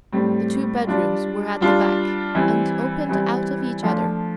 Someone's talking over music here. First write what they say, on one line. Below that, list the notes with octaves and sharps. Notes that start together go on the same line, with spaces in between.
The two bedrooms were at the back, and opened out of each other.
A2 G3 C4
G3 D4 F4
G3 D4 F4
E3 G3 C4 E4
E3 G3 C4 E4
F3 A3 D4 F4